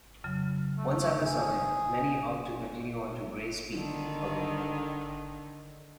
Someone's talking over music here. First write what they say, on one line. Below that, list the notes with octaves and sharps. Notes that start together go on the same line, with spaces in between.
Once at the summit, many opt to continue on to Grays Peak, away.
F2 C#3 F#3
A3
G#4
D3 D#3